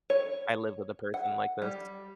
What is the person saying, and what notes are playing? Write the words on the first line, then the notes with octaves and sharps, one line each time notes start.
I live with a person like this.
C#5
F#5
G3